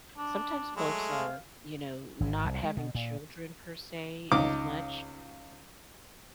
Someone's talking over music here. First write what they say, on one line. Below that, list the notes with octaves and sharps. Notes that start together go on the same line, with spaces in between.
sometimes folks are, you know, not having children per se as much,
D4
F#3 G#3 A3
F5
G#1
C2
G#3
B2
A#2
C#2 D#4 D6